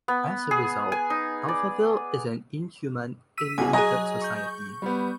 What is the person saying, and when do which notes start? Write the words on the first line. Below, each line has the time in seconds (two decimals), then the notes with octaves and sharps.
As a result, Alphaville is an inhuman, alienated society.
0.08 B3
0.51 G#4
0.92 G#5
1.10 D#4
1.48 D5
3.38 E6 B6 D#7
3.58 C2 B2 G#4 G#5
3.73 F#3 G#4 D#5 G#5 A#5
4.22 C#6 G6
4.82 G3 B3